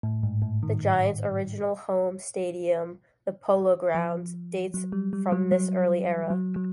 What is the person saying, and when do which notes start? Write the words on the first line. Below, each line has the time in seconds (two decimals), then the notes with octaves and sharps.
The Giants' original home stadium, the Polo Grounds, dates from this early era.
0.03 A2
0.23 G#2
0.42 A2
0.63 D#3
3.95 F3
4.74 F#3
4.92 G3
5.13 G3
5.32 F#3
5.52 F#3
6.30 F#3
6.56 F#3